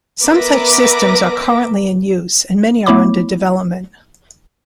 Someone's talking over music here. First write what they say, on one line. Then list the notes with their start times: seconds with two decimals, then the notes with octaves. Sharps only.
Some such systems are currently in use, and many are under development.
0.23 B3 A#4 B4 E5 D6 A#6
2.86 A3 B3 E4 C#5 B5 D6